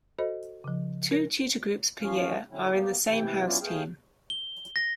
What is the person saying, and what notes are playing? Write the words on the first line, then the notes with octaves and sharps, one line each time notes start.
Two tutor groups per year are in the same house team.
F#4 A4 C5 D#5 B5
C#3 F3
A#4 A#6
E2 F3 C#4 F5
D3 F#3 C4 C#4 E4
A#3 B3 G4
C3 E3 E4 G5
F#3 B3 C#4 D4 E4 F4
A3 B3 G#4 F5 G5
G7
A#6